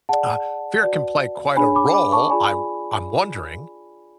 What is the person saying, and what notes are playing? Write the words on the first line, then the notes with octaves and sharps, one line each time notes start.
uh, fear can play quite a role, I I'm wondering.
G#4 D5 F#5 A5
F#4 B4 D5
D4 G#4 C#5 G#5 B5
B5 D6
B5 D6
A5 C#6
F4 G#4 D5 G#5 B5